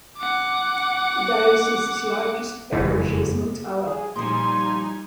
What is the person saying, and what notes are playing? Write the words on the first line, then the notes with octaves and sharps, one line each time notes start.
The dioecese's largest parish is Motala.
F#5 D6
F#1 F2 G#2 E3
G#4
A#2 F3 G3 D#4 G#5 C6